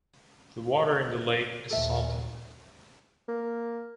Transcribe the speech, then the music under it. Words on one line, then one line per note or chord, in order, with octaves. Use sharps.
The water in the lake is salty.
C#5
D#2 A#2 A4 E5
A#3